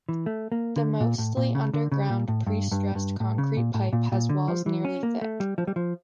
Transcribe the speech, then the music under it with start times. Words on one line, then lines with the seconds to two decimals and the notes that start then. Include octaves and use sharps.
The mostly underground, pre-stressed concrete pipe has walls nearly thick.
0.09 E3
0.26 A3
0.52 A#3
0.76 D3
1.00 A#2
1.18 A2
1.37 A#2
1.55 C#3
1.74 D3
1.92 C#3
2.10 A#2
2.28 A2
2.47 G2
2.72 G2
2.95 G2
3.20 A2
3.38 C#3
3.57 A#2
3.74 A2
3.93 A#2
4.12 A#2
4.29 D3
4.48 F3
4.66 E3
4.85 C#4
5.03 A#3
5.22 A3
5.40 G3
5.58 F3
5.67 G3
5.76 F3